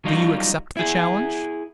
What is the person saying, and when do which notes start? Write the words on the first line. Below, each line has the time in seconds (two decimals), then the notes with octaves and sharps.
Do you accept the challenge?
0.05 F#3 G3 D#4 F4
0.77 E4 G#4